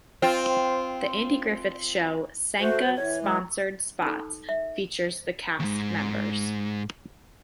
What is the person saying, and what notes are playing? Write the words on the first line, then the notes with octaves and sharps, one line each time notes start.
The Andy Griffith Show Sanka sponsor spots featured the cast members.
C4 F4
A3 F#4 C5
F#3
E3 C#5
G#3
D#4 A4
E5
D#2 G#2